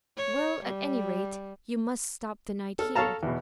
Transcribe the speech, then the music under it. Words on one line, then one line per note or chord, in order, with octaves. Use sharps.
"Well, at any rate, you must stop the night here."
C#5
G3
A4 F6
A4 C#5 F5 A5 A#5
E2 B2